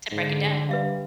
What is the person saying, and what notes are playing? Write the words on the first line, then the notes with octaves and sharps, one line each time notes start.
To break it down.
G#2 D3
G3 B4 E5 F5